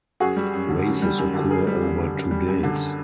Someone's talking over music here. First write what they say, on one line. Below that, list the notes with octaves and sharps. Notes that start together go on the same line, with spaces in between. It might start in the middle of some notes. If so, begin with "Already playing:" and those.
Races occur over two days.
F#2 F#4 G#4
G3
F#2
D3
F#2
G3
F#2
D3
F#2 G#4 A#4
G3
F#2
D3
F#2
G3
F#2
D3